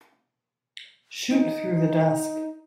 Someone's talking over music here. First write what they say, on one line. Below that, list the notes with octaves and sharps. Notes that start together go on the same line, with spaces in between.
Shoot through the desk.
D#4